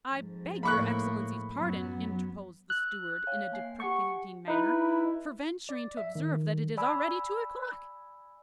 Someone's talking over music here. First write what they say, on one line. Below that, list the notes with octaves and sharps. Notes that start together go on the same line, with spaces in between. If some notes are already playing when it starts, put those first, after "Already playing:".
"I beg your excellency's pardon," interposed the steward in a deprecating manner, "for venturing to observe that it is already two o'clock."
F2 G#2
A2 A#3 B5 C#6 F#6
F#2 F#3 B3
E6 F#6
C#5 F5 G5
A#3 G#5 C7
G4 F#5 G#5 C#6
D#4 E4 B4
D5
E5
D#3
D5 G#5 B5 E6